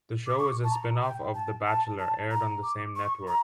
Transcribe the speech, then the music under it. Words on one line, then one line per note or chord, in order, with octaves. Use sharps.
The show is a spin-off of "The Bachelor" aired on the same network.
D6
C#6
A5
A#5
G5
A5
A5
A5
A#5
D6
C#6
A#5